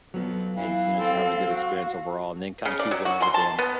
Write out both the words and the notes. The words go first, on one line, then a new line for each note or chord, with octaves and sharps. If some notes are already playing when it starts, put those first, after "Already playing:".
and, you know, just having a good experience overall, and then kinda keeping up with them,
F2 F#3 B3
E3 F5
C4 A4
F#4
C#3
D5
F#3
F#4
C6
A5
B3